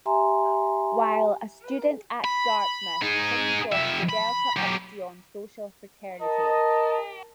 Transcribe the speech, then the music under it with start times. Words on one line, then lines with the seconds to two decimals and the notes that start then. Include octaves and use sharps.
While a student at Dartmouth, King joined the Delta Upsilon social fraternity.
0.06 G4 E5 G#5 A#5 C6
2.24 B5
3.02 D#4 G#4
3.72 F2 E5
4.09 B5
4.56 F#3 G4
6.20 A#4 D#5 A5